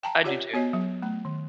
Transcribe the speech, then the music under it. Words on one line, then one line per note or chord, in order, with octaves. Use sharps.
I do too.
G5 A5 A#5
F4 G4 C#5 D5 F#5
B3 F#4 C#5 D#5
F#3
A3
D#3